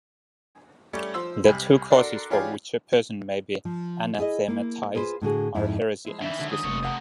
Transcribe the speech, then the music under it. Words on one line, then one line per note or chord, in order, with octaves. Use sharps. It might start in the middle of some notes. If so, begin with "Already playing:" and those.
The two causes for which a person may be anathematized are heresy and schism.
G3 A3 C#4 C#5 D5
F3 C5 E6
C2 C3 G#5 B5
D4 F#4 A4 A#4 D5 C6
E3 C#4 F4 G4 G#4 D5
F3
E4 G#4 D5 D#5
A#3 E4
F4 G#4 B4 C5
A2 D3 F#4 G#4
F2 G#2 E4
F3 G#3 E4
D#3 E3 D4 E5 F5
F#2 D3 G#3
D#6
F1 A#2 C#5
C3 A3 A#3 F5 F#5